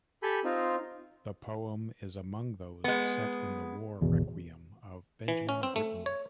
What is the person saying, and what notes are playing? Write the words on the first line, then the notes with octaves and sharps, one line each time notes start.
The poem is among those set in the "War Requiem" of Benjamin Britten.
G4 A4 G#5 B5 G6
C4 D#4 F4
G#3 B3
G#1 E2 B2
E3
C#4
C4
A3
C#5